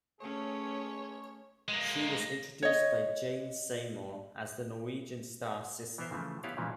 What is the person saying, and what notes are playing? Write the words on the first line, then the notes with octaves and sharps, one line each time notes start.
She was introduced by Jane Seymour as the Norwegian star Sissel.
A3 C#4 G#4 C#5
G#3 A#3
C#5 D#5
E3 B3 A#4 C5 E5
C#3 E3 F3 A3
B3 E4 G4 B4 C#5 F5
A#2 C#3 E3 F3 G#3